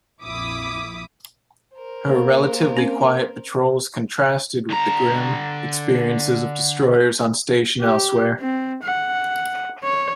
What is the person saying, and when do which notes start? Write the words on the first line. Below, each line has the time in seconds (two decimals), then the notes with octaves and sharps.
Her relatively quiet patrols contrasted with the grim experiences of destroyers on station elsewhere.
0.22 A#1 F2 E4 D6 D#6 B6
1.74 A#4 C5
2.07 A#3
2.77 C4 C#4
4.70 D3 A#5
7.81 G4
8.40 C4
8.83 F#5
9.83 C#5